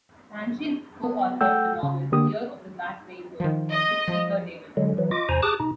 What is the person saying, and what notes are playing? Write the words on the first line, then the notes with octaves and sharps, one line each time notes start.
Sanchez co-authored the novel "Year of the Black Rainbow" with Peter David.
B3
A3 A4 F#5 G5 E6 G6
C#3
D3 A#3 G4 D#6
D#3 F3
D#5
F3
D3 F#3 G#3
E3 F#3
F4 D#5 D6
E2 C3 C5 G#5 A#5
G4 G#4 A5 D6 D#6 F#6
B2 D#4